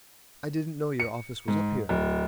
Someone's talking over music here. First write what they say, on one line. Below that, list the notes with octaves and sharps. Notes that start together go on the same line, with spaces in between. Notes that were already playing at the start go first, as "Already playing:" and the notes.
"I didn't know your office was up here."
C#7
G#2
D1